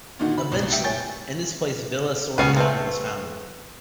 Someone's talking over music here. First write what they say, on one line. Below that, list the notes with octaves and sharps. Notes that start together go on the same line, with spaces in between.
Eventually, in its place Villa Soriano was founded.
A#2 D3 D#3 D#4 F#4
B5
C2 B2
E5 G5
C#5 G5 G#5 G6 A6
C#2 B3 C#4 B4 C7 D#7
A3 C4 B4